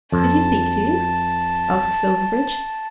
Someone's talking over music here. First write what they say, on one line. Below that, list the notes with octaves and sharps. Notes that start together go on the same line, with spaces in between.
"Did he speak to you?" asked Silverbridge.
F2 A5